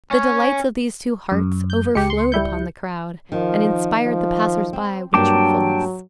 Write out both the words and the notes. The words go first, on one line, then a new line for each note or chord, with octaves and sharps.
The delights of these two hearts overflowed upon the crowd, and inspired the passers-by with cheerfulness.
C#4
F#2
G6
C#2 G#3 G4 C#7
C6
G3 E4 G6
D#3 F3
F3
C4
G2 F#3 A#3 D4 G5 A5 D6